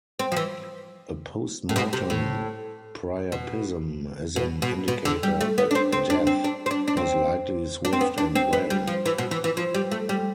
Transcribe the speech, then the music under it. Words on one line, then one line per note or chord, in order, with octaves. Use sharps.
A postmortem priapism is an indicator that death was likely swift and violent.
C4
F3
E3
A2
B2
C3
A2
B2
B2
B2
B2
D3
G3
A3
B3
D4
C4
C4
D4
C4
D4
C4
D4
D4
C4
D4
C4
B3
D4
C4
B3
G3
F3
E3
B2
E3
E3
F3
G3
A3
G3